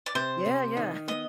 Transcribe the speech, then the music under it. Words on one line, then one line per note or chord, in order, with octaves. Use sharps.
Yeah, yeah.
D5
C3 C5
C3
D#3
B3 D#5